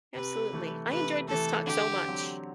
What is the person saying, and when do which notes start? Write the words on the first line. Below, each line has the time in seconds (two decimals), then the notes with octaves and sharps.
Absolutely. I enjoyed this talk so much.
0.15 C3 B4
0.53 E3 A3
0.91 C3 B4
1.28 E3 A3 A4
1.66 D3 G4
2.05 F#3 C4